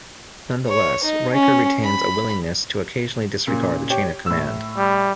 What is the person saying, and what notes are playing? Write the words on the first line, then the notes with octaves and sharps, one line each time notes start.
Nonetheless, Riker retains a willingness to occasionally disregard the chain of command.
C#5
D#4
C#4
B5
A#2 C#3
G4 C#5 G5
A2 E6
G3